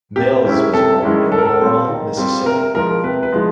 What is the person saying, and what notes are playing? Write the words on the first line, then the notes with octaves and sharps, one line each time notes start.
Mills was born in Laurel, Mississippi.
C3 G4
D#3 G#3 C#4 E4 G4
C3 A4
D#3 G#3 C#4 E4
D#3 A4
A#4
A4
G3 C4 F4
D#3
G3 C4 F4
C3 A#4
F3 G#3 A#4
C3 B4
B4
F3 G#3